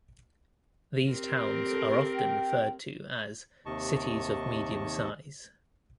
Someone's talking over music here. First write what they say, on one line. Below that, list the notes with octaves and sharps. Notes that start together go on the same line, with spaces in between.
These towns are often referred to as "cities of medium size".
C4 G4 A#4
A4
G5
D#2 C3 D#3 D#5 A5 C#6